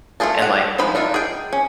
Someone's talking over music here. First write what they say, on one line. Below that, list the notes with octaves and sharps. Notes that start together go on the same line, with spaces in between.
and, like,
A3 D#4 F4 G#4 A5
F#5
F3 G#3 D#4 B5
D4 D#4 F4 E5
G#4 G5
C#4